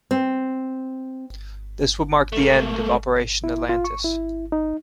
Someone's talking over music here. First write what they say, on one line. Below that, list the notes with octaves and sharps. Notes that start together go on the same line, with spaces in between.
This would mark the end of Operation Atlantis.
C4
A3 A#3
E4
F4
C#6
E4
D#4